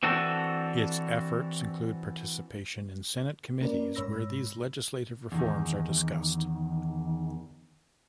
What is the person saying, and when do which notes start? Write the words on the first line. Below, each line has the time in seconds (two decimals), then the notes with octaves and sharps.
Its efforts include participation in Senate committees where these legislative reforms are discussed.
0.03 E3 C4 D4 F#4 A4
3.61 A#3 C#4 A#4 B4 D5
3.95 G#2 C#5 B5 E6 A#6
5.32 E2 D#3